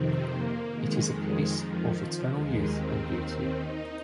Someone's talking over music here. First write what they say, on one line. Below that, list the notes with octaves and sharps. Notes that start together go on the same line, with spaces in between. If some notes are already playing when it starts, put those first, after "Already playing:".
It is a place of eternal youth and beauty.
Already playing: F2 C3 D#3 C4
A#3
F2 D#3 G#3
F3
D#2 D#3 G#3
C4
D#4